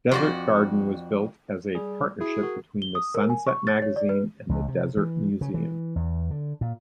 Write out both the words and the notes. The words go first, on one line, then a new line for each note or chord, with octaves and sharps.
Desert Garden was built as a partnership between "Sunset" magazine and the Desert Museum.
F2 F#4 D5
G3 G#4
E4 F#4 G#4
F#4 A#4
G7
D#6
A#4
G#5
C#6
A6
C#5
D5
B4
C#2
C3
E3
C#3
E3
E2
D3
A#2